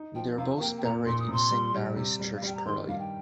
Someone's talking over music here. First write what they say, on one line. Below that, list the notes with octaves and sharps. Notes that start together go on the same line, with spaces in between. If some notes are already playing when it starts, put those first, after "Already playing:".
They are both buried in Saint Mary's Church Purley.
Already playing: D#4
F3 G5
C3 F5
F5
A#3 G5
G5
A#2 A#5
A#2 C6
D#6
C3 C6
G3
G3
C3
G3
F5
G3 G5
A#5
D#3 C6
G2 F5
G5